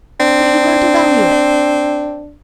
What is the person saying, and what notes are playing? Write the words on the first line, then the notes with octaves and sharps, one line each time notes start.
So you learn to value it.
C4 D4